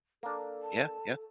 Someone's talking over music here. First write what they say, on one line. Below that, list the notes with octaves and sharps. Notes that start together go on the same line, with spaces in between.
Yeah, yeah.
A#3 D4 A4
A5